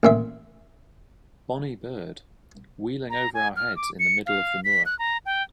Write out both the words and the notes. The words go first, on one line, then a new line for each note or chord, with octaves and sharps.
Bonny bird; wheeling over our heads in the middle of the moor.
A1 A#2 E5
A#5
G#5
F6
D6
C#7
F5
B6
F#6
A#5
G5